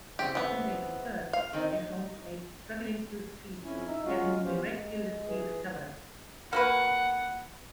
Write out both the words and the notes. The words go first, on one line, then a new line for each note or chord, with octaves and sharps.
When they returned, they found Slade struggling to his feet, having miraculously recovered.
E2 C#3 C4 G4
E3 B3
F5
D#3 C4 D#4
D#4
F2 C#4 E4 G#5
D#4 E5
F#3 G#3 C#4 F4 F#4 F5
B3 C#4 G4 C5 F5
G#3
E3 G#4
A#3 F#4 B4 F#5